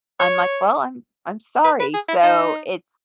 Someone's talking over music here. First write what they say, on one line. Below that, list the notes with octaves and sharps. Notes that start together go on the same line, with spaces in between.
I'm, like, "Well, I'm I'm sorry." So, it's
C#5
B4
B4
G#4
E4
D#4